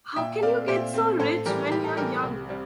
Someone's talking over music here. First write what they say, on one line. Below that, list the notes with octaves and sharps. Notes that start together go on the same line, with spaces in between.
How can you get so rich when you're young?
A#2 E5 G5
A3 C4 D5 F5
A#2 C5 E5
A3 C4
A2 A4 C5
E3 G3 G4 A#4
A2 G4
A4
E3 G3 G4 A#4
C2
G3 C4